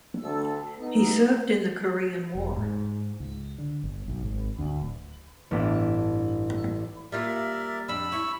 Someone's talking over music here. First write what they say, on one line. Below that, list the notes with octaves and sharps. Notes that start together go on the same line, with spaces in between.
He served in the Korean War.
D2 A4
B3 D#4
E1
G#2
C#2
D3
G1
B1
G#1
D2
D1
A1 G2 B3 D4
G3 A#3 F4 A#4 D5 E5
F2 D4 B5 E6
E4 C#6